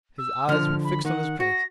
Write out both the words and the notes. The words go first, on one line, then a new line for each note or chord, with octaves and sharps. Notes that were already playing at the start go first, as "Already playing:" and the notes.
His eyes were fixed on his plate.
E6
D3 F3 F6
B5
D#3 F#5
F#4 A#6